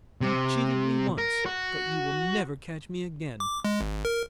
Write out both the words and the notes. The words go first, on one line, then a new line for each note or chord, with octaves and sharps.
"You cheated me once, but you will never catch me again."
C3
A#4
F#4
D6
G#3
G#1
A#4